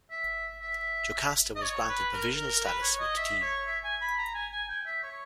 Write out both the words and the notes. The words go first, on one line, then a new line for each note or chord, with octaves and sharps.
Jocasta was granted provisional status with the team.
E5
E5
D#5
C#5
B4
A#4
A#4
A#4
B4
C#5
D#5
E5
C#5
E5
G#5
B5
A#5
G#5
G#5
G5
E5
C#5